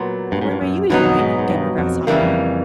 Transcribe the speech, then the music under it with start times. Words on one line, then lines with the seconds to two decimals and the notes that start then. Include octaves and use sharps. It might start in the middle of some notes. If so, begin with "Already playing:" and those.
'And where may you be going, Gammer Grasshopper?'
Already playing: A#2 F#3 B3
0.32 G2
0.41 G#2
0.51 G2
0.61 F#2
0.90 G2 B2 F#3 B3 D#4
1.05 F2
1.19 G#2
1.38 G#2
1.49 G2
1.78 F2
2.07 C#3 E3 G3 A#3
2.21 F2